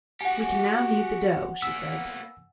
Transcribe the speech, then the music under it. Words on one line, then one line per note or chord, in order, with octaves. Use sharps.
"We can now knead the dough," she said.
F#4 G4 F#5 G#5
A#3 B3 E6